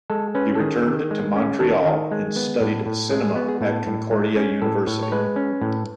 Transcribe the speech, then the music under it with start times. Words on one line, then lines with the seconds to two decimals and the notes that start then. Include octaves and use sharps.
He returned to Montreal and studied cinema at Concordia University.
0.10 G#3 A4
0.35 C#4 B4
0.55 A4
0.60 D#3 G#4
0.86 D#3
1.11 G#3
1.36 C#4
1.60 D#3 A4
1.86 D#3
2.11 G#3
2.36 B3
2.61 A2
2.86 A2
3.11 G#3 G#4
3.24 G#4
3.36 B3 F#4
3.48 G#4
3.61 A2 A4
3.87 A2
4.11 G#3
4.36 C#4
4.62 A2 A4
4.87 A2 C#5
5.03 C#5
5.12 G#3 B4
5.36 C#4
5.61 A2